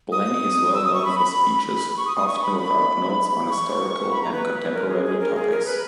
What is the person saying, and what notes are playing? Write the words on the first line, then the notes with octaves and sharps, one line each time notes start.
Blainey is well known for speeches, often without notes, on historical and contemporary topics.
D#6
E6
D#6
C#6
B5
B5
C#6
D#6
D#6
C#6
B5
B5
C#6
B5
A#5
B4
A#4
G#4
G#4
A#4
G#4
A#4
B4